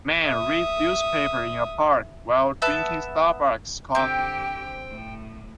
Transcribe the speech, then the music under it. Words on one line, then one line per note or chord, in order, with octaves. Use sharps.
Man reads newspaper in a park while drinking Starbuck 's coffee.
E5 D#6
B3 E5 A5
D3 C4 G4 G5
A2